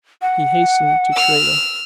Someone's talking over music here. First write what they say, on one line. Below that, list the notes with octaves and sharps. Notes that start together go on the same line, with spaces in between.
He hastened to Tredah.
F#5
E6 F6